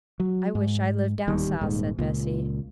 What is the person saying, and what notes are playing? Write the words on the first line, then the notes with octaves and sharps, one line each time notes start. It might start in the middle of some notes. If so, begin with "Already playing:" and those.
'I wish I lived down South,' said Bessy.
F#3
G#2
D1 D#2 G3
D#1 G#2
C#2 A#2